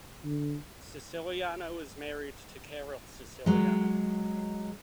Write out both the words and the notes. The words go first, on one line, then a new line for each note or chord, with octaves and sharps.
Siciliano is married to Carol Siciliano.
D3
F#3 G#3